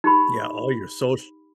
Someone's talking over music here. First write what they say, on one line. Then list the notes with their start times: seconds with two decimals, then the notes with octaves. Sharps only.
yeah, all your soc
0.04 D#4 G4 B5